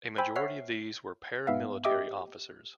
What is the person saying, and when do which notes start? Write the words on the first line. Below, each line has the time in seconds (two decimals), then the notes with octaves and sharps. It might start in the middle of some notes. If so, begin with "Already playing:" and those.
A majority of these were paramilitary officers.
0.18 C5 G5 G#5 B5 E6
0.36 C#5 E5 F#5 F6 B6 C7
1.47 G#2 B3 E5 F5
1.85 G4 D#5 E5 D6